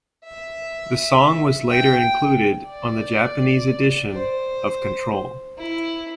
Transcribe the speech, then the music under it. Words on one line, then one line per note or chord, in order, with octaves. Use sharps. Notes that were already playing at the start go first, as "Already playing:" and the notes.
The song was later included on the Japanese edition of Control.
E5
G5
D5
C5
E4